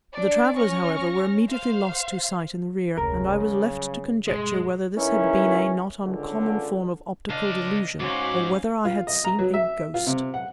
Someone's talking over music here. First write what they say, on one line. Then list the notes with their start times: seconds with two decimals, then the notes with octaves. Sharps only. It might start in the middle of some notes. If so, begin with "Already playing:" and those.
The travellers, however, were immediately lost to sight in the rear, and I was left to conjecture whether this had been a not uncommon form of optical delusion or whether I had seen a ghost.
0.14 D4 D5
0.56 C#4 C#6 F6 A#6
1.49 C5 F5
2.97 F1 D2 C#3 A#4
3.40 F#3 G3
4.28 G2 B2 G#3
4.97 C#2 C#4 D#4 E4 A#4 B4
6.03 C#2 D3
7.29 C#2 D4 D#5 F5
8.00 G#2 C#4 F#4 F5 D6
8.85 F4
9.07 D#5
9.24 A#5
9.39 F#3
9.54 E5
9.94 F4
10.06 C3
10.34 F#5